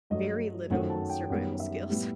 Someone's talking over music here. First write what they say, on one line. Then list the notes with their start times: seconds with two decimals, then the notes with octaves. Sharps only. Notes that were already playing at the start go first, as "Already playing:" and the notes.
very little survival skills.
0.10 G2 F#3 A3 D#5
0.70 F#2 D#3 F#3 A3 F#5
0.90 A5
1.10 G5
1.30 F#2 D#3 G3 B3 F#5
1.60 E5
1.90 A2 G3 B3